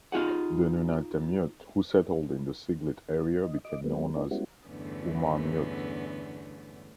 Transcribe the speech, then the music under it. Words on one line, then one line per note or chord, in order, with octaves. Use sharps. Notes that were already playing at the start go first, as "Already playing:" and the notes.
The Nunatamiut who settled in the Siglit area became known as Uummarmiut.
D#4 F4 G#4 F#5
D#5
D#5 D6
F#3 G#3 A#3 B3
A#3 D4 D#4
G3 G#3 B3 C#4 E4 F#4
E2 G2 D3 A3 B3 C#4